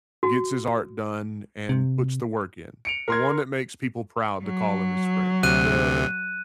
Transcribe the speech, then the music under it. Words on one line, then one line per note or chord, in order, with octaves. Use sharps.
gets his art done, and puts the work in. The one that makes people proud to call him his friend. The
F#4
C3
C#7 D7 F7
A#4 C6 G#6
F#3
D2 C3 F#6 D#7